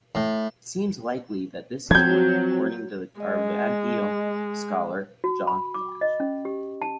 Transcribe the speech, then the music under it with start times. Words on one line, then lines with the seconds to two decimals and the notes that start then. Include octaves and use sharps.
It seems likely that this is the work, according to Caravaggio scholar John Gash.
0.15 A2
1.91 F3 F#3 C4 G6 G#6
3.20 G#3 D#5
5.24 F#4
5.47 B5
5.74 D6
6.01 D#5
6.20 C#4
6.45 G4
6.82 A5